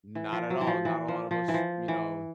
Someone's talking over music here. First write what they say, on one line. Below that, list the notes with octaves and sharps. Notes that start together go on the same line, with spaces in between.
Not at all. Not a lot of us, you know,
E3
F3
F#3
E3
F3
E3
F3
F3
E3
F3
E3